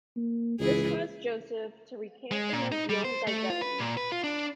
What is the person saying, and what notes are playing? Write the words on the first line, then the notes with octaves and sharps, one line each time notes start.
This caused Joseph to recant and reveal his identity.
A#3
C#2 E3 G#4
G#3
A#2
D#4
G3
C5
A3
F4
B4
A#2
B4
F4
D4